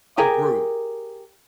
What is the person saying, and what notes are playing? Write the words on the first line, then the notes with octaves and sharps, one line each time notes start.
A group,
G4 G#4 A#4